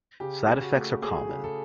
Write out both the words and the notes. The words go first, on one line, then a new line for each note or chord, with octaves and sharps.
Side effects are common.
C#3 G4
C#3
F#4
A3
A3 G#4
C#3
A4